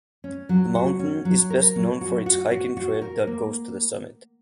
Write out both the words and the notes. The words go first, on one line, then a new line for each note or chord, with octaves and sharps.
The mountain is best known for its hiking trail that goes to the summit.
C#4
F#3
F#4
C#4
F#3
A#4
F#3
F#4
F#4
F#4
F#4
A#4
A#3